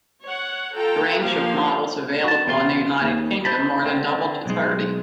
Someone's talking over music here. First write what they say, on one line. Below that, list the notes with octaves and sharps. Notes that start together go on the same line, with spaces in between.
The range of models available in the United Kingdom more than doubled to thirty.
C#5 F#5
F4 A4 G5 A#5
F3 A#3 G4 F5
F#4 A5
E2 B2 F4 C6
D#2
E4 C5 A5 B5
D3 C4
B1 G#3